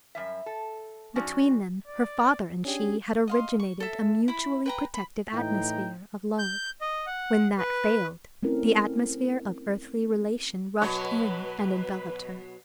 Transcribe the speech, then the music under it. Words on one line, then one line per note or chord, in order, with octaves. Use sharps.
Between them her father and she had originated a mutually protective atmosphere of love; when that failed, the atmosphere of earthly relation rushed in and enveloped her.
F#2 G3 E5
A4
F3 C#4 D#4 F#4 D5
D5
C#4 D4 G4 G#4
D#5 F5 C6
C#6
A4 E5
E4 B5
B4 G5 A#5
B5
A2 E3 D#4 G5 A#5
G6
D#5
F#5
B4
A3 C4 C#4 E4 A#4
B2 F#3 B4 C#5